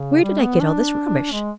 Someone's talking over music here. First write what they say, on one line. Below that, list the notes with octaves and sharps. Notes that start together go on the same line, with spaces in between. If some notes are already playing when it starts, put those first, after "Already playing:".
Where did I get all this rubbish?
Already playing: C#3
G3
B3
D4
G#3